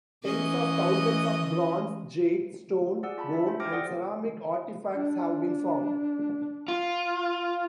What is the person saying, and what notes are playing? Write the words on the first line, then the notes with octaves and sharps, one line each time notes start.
Tens of thousands of bronze, jade, stone, bone, and ceramic artifacts have been found.
E3 C#4 D#5
G#4 D5 F#5 E6
F4 A5 B5
D4 E5
F4 C5
G4 G5 D6 F6 A#6 D7
A4 D5 F#5 G5 D#6 A#6
D4
F4